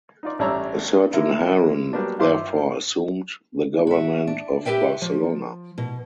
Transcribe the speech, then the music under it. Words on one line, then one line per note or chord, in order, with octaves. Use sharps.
A certain Harun therefore assumed the government of Barcelona.
D#4 F4 D5
A1 G3 D4 C#5 A#5 E6
D3 E4 A#4
F#3 G3 A#3 B3 D4
G2 F4 C5 E5 C6 D6
F#4 E5
D4
G4 A4 B4 E5 G5
F3
B2